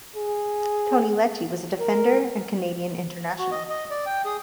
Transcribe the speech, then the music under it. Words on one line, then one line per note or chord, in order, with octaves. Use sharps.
Tony Lecce was a defender and Canadian international.
G#4
A#4
F#4
D#5
D#5
D5
G5
G#4